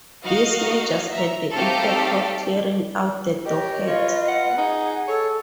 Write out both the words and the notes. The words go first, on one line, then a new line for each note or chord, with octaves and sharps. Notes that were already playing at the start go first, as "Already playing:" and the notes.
These measures had the effect of clearing out the docket.
D#4 F#4 D#5 F5
E5 A#5
A3 C4 D#4 G4 A4 F5
G4 C#5 D#5
F4 B4 C#5
F#5
D#4 G#4 F#5
A4 C#5